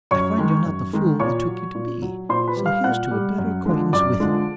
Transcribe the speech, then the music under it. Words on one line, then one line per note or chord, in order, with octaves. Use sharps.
"I find you're not the fool I took you to be; so here's to a better acquaintance with you."
F#2 C#5 C#6
D#3 G#3
F#2
D#3 G#3
A#2 C#5 C#6
F#3
A#2
F#3
A#2 C5 C6
B4 B5
G3
F5 F6
A#2 F#5 F#6
G3
F#2
D3 F3 G#3
F#2 D5 D6
D3 F3 G#3